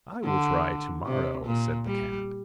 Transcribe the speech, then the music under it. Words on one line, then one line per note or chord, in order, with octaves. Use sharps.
"I will try to-morrow," said the cat.
D3
C3
A#2
G3